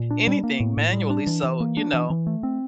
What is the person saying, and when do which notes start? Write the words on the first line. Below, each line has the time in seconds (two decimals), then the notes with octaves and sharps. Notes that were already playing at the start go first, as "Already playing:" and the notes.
anything manually, so, you know.
Already playing: A#2
0.11 D4
0.27 G3
0.44 A#3
0.60 A2
0.77 A2
0.93 G3
1.10 D4
1.27 E3
1.43 E3
1.60 A#3
1.77 D4
1.94 E3
2.10 E3
2.27 A3
2.43 C4